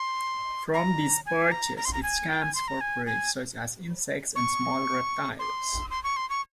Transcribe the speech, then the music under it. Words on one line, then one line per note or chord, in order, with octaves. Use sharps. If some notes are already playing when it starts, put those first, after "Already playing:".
From these perches it scans for prey, such as insects and small reptiles.
Already playing: C6
A#5
G#5
A#5
A#5
C6
A#5
G#5
G5
G#5
C6
A#5
G#5
G#5
C#6
C6
C6
C#6
C6
C#6